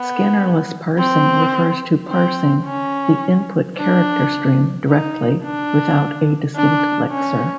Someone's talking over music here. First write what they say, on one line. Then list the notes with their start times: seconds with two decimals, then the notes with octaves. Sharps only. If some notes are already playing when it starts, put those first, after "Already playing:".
Scannerless parsing refers to parsing the input character-stream directly, without a distinct lexer.
Already playing: B3
0.98 C4
2.09 C4
2.65 C#4
3.77 D4
4.88 D#4
5.43 D4
6.55 D4
7.11 C#4